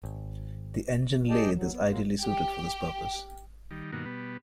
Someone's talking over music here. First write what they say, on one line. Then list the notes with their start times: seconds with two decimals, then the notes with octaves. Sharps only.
The engine lathe is ideally suited for this purpose.
0.03 G#1
1.30 G4 G#4 D5 D#5 G5 A5
1.55 D#2 F#3
1.71 B3
1.88 F#3 G#3 A#3
2.22 G4
3.71 D#3 G3
3.92 G2 B2 D#3 A#3 F#4
4.05 B2 G3 B3